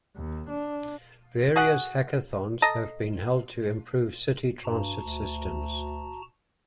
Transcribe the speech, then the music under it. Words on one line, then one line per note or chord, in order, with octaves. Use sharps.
Various hackathons have been held to improve city transit systems.
D#2
D4
F#4 G#4 F#5
A4 D#5 A#5
G2 F#4 A5 A#5
D2